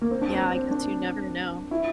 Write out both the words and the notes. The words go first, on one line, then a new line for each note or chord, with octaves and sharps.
Yeah, I guess you never know.
A#3
C4
D4
C4
C4
D4
E4